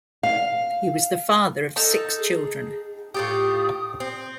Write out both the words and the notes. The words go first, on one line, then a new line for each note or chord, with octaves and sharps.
He was the father of six children.
F5
D#4 A4 A5
G#4
A2 F4 G4 D#6
C4